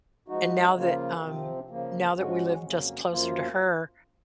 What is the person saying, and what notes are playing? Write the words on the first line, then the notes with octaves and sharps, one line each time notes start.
and now that, um, now that we live just closer to her,
F3 G#3 D#4 F#4
C#3 F3 A#3 F4
C3 F3 C4
C#3 F3 A#3
G#2 F3 G#3 C#4 F#4
F2 C#3 F#3 A#3 C#4
F#2 F3 A#3 F4